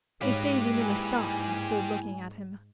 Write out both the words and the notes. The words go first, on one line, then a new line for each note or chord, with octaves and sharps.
Miss Daisy Miller stopped and stood looking at him.
G#2 D#4 G4 B4 C#5 F5
A#3 E4 G#5